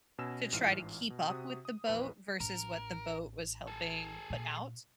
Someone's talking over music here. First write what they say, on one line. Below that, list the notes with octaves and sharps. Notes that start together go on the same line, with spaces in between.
to try to keep up with the boat versus what the boat was helping put out,
B2 C#4 G#5 E6 E7
A1 G#2 E3 F4 F6 C7
B2
C3 F#4 D#6
D#6
A#1 E2 B4 B5
A1 A#4
G#4 A4
A#2